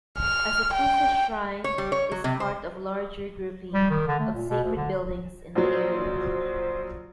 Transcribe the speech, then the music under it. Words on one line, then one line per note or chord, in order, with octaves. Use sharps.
Asakusa Shrine is part of a larger grouping of sacred buildings in the area.
F6
G5
C#5
G3
C#5
F#3
C3
C5
G3
D#3
D3
A3
A#2
B2
D2
D3
A#1 F#3 C5